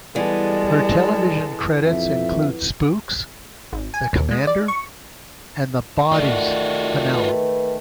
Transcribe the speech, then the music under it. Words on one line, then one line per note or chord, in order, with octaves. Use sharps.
Her television credits include "Spooks", "The Commander" and the "Bodies" finale.
E3 G3 G#3 B3 A4 D5
F2 E5
G#1
G#5
D#2
G#3
D5
C#6
D#3 A3 F4 F#4 D5
B4